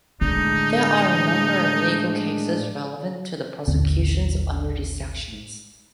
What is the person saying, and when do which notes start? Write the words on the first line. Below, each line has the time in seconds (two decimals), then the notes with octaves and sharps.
There are a number of legal cases relevant to prosecutions under these sections.
0.21 A2 D3 G#3 D4 D#4
3.67 A1 D#2 D3 C4